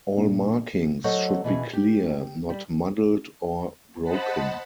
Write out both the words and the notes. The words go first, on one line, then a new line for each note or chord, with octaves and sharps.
All markings should be clear, not muddled or broken.
A#1
F#3 A4 C5 C#5 D#5 F#5
B2 E3 G#4
G4
G3
C5 D#5 F#5 A5 B5